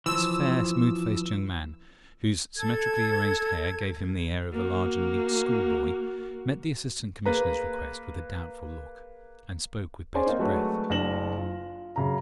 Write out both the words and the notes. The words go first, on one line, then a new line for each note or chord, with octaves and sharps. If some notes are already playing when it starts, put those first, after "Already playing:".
This fair, smooth-faced young man, whose symmetrically arranged hair gave him the air of a large and neat schoolboy, met the Assistant Commissioner's request with a doubtful look, and spoke with bated breath.
E3 F3 E6
A4 G#6
A#3 F#4
A#3 G#4 B4 A#5
C#4 G#4 C5 D5 G#5 C6
A#3 C4 D#4
F#3 G#3 A3 D4 F#4 B4
F#1 D4 A#6 E7 F#7
F4
F#2 C#3 A#5